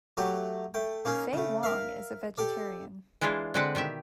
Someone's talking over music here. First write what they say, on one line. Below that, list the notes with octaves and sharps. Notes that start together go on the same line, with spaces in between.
Faye Wong is a vegetarian.
F#3 A3 F#4 G4
A3 G5
A#3 C#4 D#4 G#4
C#3 A3
A#4 E5 F5
G4 A4 D5
E3 G#3 D4 E4 F4 G#4
D3 G#3 C4 B4 D5 F#5
B2 D#3 G4 E5